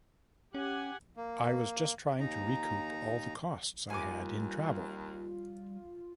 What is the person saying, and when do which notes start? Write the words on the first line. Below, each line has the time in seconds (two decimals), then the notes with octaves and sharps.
I was just trying to recoup all the costs I had in travel.
0.54 C#4 G4 F#5 G#5
1.16 A#3
2.20 D#2 D#4 A#5
3.90 D#2 G3 F4 G#5 D6